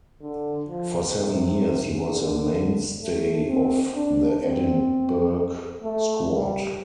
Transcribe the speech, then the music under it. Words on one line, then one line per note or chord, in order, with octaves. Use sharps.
For seven years he was a mainstay of the Edinburgh squad.
D3
F3
C3
D3
A3
C4
D4
C4
A3
G3